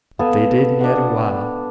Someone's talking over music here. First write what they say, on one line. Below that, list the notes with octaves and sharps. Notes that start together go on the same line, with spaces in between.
But they didn't yet a while.
B3 A4 F5 G#5
D4 F#5